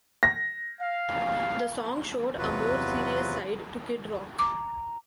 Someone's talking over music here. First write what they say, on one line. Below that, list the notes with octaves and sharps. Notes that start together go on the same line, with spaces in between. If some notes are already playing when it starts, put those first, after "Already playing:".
The song showed a more serious side to Kid Rock.
A#6
F5
E2 C3 F#3 F4 F#4 B4
A#5 D6